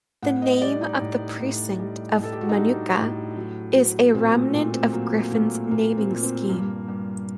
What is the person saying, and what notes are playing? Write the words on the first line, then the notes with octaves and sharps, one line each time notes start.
The name of the precinct of Manuka is a remnant of Griffin's naming scheme.
A2 F#5
D#5
D#5
G3 D5
D#4
A2
A2
G3
A2
A4
G4
F#4
D#4
G3 D4
A2
F#3
F#3
A#2 C4
A3
A#2 C4
C4
F#3 A#3
A#3
A#2 A3
A#2 A#3
C4
A#2
C4
G2 A#3
G2